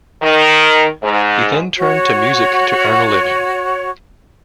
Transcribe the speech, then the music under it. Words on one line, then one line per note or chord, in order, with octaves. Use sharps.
He then turned to music to earn a living.
D#3
G#2
F#4 C#5